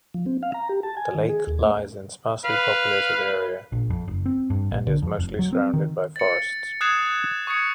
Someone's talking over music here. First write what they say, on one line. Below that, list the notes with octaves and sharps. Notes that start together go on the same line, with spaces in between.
The lake lies in sparsely populated area and is mostly surrounded by forests.
F3
C4
F5
A#5
G4
A5
G#5
D#3
G#4
D#2
A3
B4 F5
A#1
F2
F#1
C4
G2
A#1
D3
F2
F1
F#3
C4
D#3
A6 C#7
D#6 F#6 G#6 C7 E7
C#6 D#6 G#6 C#7